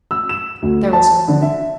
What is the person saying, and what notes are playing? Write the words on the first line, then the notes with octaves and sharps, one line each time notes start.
There was no one there.
E6
E7
D2
A5
D3
E5